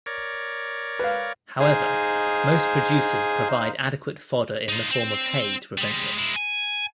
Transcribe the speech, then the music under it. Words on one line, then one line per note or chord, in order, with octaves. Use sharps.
However most producers provide adequate fodder in the form of hay to prevent this.
A#4 C#5 D5
B4 F5
D#4 G#4 C5 F5
D#4 F4
C4
G3 G#3
G#3 E4
G#5